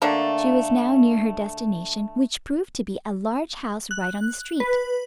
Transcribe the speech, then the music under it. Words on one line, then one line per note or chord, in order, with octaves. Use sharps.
She was now near her destination, which proved to be a large house right on the street.
D3 A3 A#3
F#6
B4